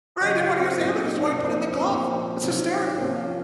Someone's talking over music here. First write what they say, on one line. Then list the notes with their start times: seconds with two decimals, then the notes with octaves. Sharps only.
Right, he didn't want to use his hand, which is why he put it in the glove. It's hysterical.
0.21 C#3 F#3 D#5 F#5
0.40 F4 G#4
0.58 C4
0.76 A#2 F#3 A#3
0.85 C4
0.90 A#3 C#4
1.03 C4 D#4
1.18 A#3 C#4
1.31 C3 F3 C4
1.45 A#3
1.60 C4
1.72 A#3 C#4
1.87 A#2 F3 C4
2.42 C3 D#3 F#3
2.87 C4
2.97 C3 F3 A#3 C#4
3.15 C#4 F4